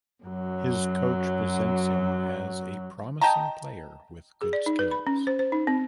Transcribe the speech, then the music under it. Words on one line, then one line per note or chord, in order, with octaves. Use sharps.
His coach presents him as "a promising player with good skills".
F#2 F#3
D#5 G5 A5 A#5
G#4
D5
D#4
B4
B5
C#4
C5
C5
D#4
C4